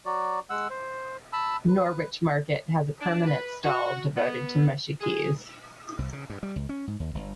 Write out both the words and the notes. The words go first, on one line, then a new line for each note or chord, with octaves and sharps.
Norwich Market has a permanent stall devoted to mushy peas.
F#3 F#4 D5
G#3 F#5 E6
C5
A5 B5 E6
B4
D4
B4
F#4
B3
G#4
C2
C#3
G2
G3
C#2
C#4
G#2
D#2
G1